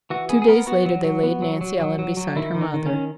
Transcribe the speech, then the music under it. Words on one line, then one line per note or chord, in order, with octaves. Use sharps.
Two days later they laid Nancy Ellen beside her mother.
E3 F#4
B3 G#4
G#4
B3 A#4
B3 F#4
F#3
F#3
B3
F#3
F#3
F#3
F#3
F#3
D#3 E4
D#3
D#4
D#3
C#4
D#3